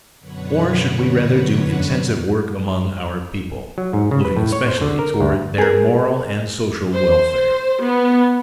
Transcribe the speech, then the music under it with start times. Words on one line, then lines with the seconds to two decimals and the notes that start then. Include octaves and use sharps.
Or should we rather do intensive work among our people, looking especially toward their moral and social welfare?
0.20 F#2 B2 D3 B4 C#5 F#5
3.78 F#3
3.93 G#2
4.11 C#3
4.25 B4
4.37 A2
4.52 C#5
4.68 C5
4.81 D3
4.99 A#4
5.20 D2
5.58 G#4 A#4
6.96 C5
7.85 B3